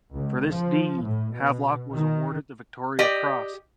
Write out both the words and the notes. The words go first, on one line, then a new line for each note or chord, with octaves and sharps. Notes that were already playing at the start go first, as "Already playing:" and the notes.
For this deed, Havelock was awarded the Victoria Cross.
C#2
F3
A2
B2
D#3
G4 D5 D#5